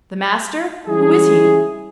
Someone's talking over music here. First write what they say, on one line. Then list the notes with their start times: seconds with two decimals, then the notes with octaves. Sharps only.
"The master?--who is he?"
0.87 E3 G3 G#3 C#4 E4 G#4